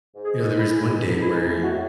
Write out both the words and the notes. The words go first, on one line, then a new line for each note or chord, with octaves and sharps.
you know, there was one day where he
G#2
G#4
G#3 A4
E4
G#3
E4
B2 D#4
D#4
G#3 E4
D#4
A3 E4
F#4
A2